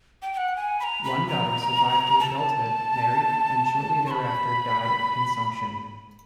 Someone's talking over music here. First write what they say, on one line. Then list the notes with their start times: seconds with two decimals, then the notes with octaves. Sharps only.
One daughter survived to adulthood, married, and shortly thereafter died of consumption.
0.22 G5
0.33 G5
0.37 F#5
0.56 G#5
0.80 B5
0.84 A#5
1.04 B5
1.27 A#5
2.20 A5
4.07 C#6
4.11 B5